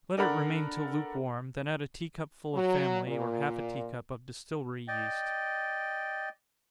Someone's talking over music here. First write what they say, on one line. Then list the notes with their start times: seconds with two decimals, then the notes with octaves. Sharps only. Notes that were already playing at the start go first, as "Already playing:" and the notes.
Let it remain till lukewarm, then add a tea-cup full of family, or half a tea-cup of distillery yeast.
0.18 D4 A4 A#4 D5 F#5 B5
2.55 F#3
3.08 A#2
4.88 D5 D#5 G5